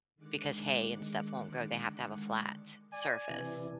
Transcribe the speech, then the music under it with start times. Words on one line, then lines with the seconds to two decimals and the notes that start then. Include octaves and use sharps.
because hay and stuff won't grow, they have to have a flat surface.
0.16 D3 D#3 G#3 D6 F#6 C#7
2.93 D5 G#5
3.29 C3 E3 D4